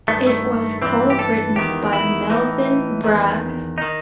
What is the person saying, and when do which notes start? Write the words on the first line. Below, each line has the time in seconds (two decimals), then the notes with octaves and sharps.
It was co written by Melvyn Bragg.
0.08 G2 D#3 A3
0.27 A3
0.82 G2 E3 C4
1.10 G4
1.19 A4
1.56 E2 D#3 G4
1.93 E4
2.30 A2 E3 D#4
3.04 E2 D#3
3.78 D#3 D#4